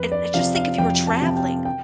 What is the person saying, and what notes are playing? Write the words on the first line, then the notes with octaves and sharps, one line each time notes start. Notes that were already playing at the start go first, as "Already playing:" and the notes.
and, uh, just think if you were traveling.
Already playing: F2 B4
D5
C3 F3 C4 F5
F5
F2 G5
A5
C3 F3 C4
G5
G5